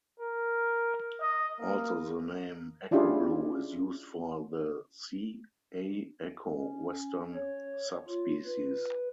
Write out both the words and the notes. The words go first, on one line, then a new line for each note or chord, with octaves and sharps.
Also the name echo blue is used for the "C. a. echo" western subspecies.
A#4
D#5
A#3
C#4 D4 E4 F4 G4 G#4
C#4
C#5
F4
B4